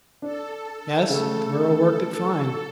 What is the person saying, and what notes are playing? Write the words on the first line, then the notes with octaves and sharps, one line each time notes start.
"Yes; the girl worked it fine."
D4 A4
C#3 A3